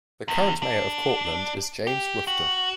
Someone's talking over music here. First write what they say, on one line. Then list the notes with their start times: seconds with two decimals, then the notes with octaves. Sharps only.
The current mayor of Cortland is James Woofter.
0.28 E2
0.63 D4
1.87 G4
2.27 F#4